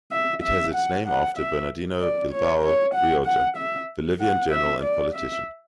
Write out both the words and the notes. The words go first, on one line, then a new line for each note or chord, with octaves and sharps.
It has its name after Bernardino Bilbao Rioja, Bolivian general and politician.
E5
E5
F#5
F#5
E5
D5
C#5
C#5
F#5
F#5
E5
F#5
E5
D5
E5